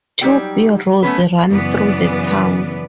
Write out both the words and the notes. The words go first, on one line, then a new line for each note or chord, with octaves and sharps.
Two B roads run through the town.
F#3 G3 D#4 G4 A4 G5
A3 B3 C#4 B4
F#2 C#3 E3 B3 B4 D5